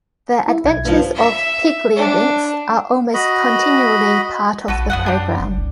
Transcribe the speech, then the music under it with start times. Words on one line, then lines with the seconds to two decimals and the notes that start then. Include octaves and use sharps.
The Adventures of Piggley Winks, are almost continually part of the programme.
0.48 E4
0.64 B1 G#6
0.85 G2 F3
1.15 E5
1.97 D4
3.14 F#4 D#5 B5
4.68 A#1 F#4 A4 B4
4.90 F#2 B3 D#4 F#5
5.06 D4 G4
5.39 F#1
5.58 C2